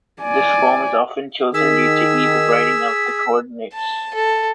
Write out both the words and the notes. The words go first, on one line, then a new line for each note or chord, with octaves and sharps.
This form is often chosen due to ease of writing out the coordinates.
D5 G#5
D#3 G#4 E6 B6
A5
A4